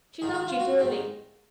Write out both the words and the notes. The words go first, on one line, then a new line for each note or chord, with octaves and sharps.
She loved yo' dearly.
G#2 D#3 G#4
F#4
F4
F#4
G#2 D#3